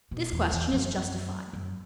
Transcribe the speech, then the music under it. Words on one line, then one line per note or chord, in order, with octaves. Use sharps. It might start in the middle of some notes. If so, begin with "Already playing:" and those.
This question is justified.
B2
E2
E2
F#2
F#2